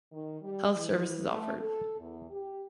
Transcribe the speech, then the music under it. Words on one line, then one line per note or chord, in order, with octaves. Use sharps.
Health service is offered.
D#3
G3
E3
A3
A4
E2
G4